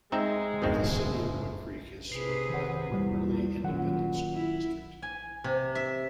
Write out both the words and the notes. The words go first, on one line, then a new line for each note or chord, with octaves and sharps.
The City of Woodcreek is served by the Wimberley Independent School District.
G#3 C4 D#4 E5 A#5 E6
F#1 G2 B2 D#3 C4
C3 G#4 B4 C7
D#3 F#5
E2 G3
F#2 A#2 D#3 F#5
E4
G#5
C3
E5